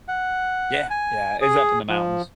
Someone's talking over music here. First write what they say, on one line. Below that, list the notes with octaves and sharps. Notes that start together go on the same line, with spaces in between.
Yeah, yeah, it's up in the mountains
F#5
G#5
G#4
F3